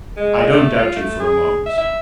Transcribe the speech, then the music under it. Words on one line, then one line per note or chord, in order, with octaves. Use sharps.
"I don't doubt you for a moment, sir!"
G#3
A3
F4
A3
G#4
E5
E5